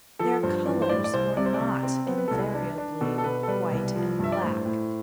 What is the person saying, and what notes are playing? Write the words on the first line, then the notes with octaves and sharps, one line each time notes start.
Their colours were not invariably white and black.
F3 A4
G2 C5
E3 D5
C5
A2 D5
D5
C2 C5
C3 D5
C5
D5
C3
C4
B3 C5
B4
C2 A4
B4
D4
D4
B2 A4
A4
B2 B4
A4
G3 B4
C2
F3
G2 E5
D5
A2 C5
A2